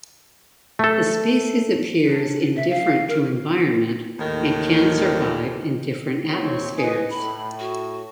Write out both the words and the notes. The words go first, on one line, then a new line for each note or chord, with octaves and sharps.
The species appears indifferent to environment and can survive in different atmospheres.
A3 A4
D4
E5
F5
A#4
D#2 A2 D#3
D#2 C4 C#5
D#2 B4 D#5 G#5
A2 B5
F#4